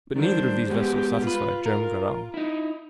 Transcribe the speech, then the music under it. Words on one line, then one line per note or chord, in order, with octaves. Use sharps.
But neither of these vessels satisfied Joam Garral.
D#3 G3 D4 C5
G#3 B3 F#4 G4
F4 B4
A#4
D#4 E4